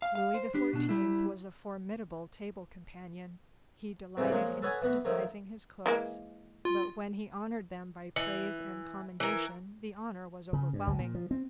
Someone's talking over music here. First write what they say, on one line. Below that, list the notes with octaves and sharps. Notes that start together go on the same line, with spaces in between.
Louis XIV. was a formidable table-companion; he delighted in criticising his cooks; but when he honored them by praise and commendation, the honor was overwhelming.
F5
F5
C5
D4 G4
B2 D4
G3 E4
C#3 E3 G#3 A3 C4
A#2 F3 F#3 G#3 A#3
A4 B4 C#5 D#5 F#5 G#5
E3 B3 F#4
D#3 F3 F#3 A3
E3 G#3 A#3
F4
E3
E3 A#4
C#3
G2
C#2
A#2
F3
C4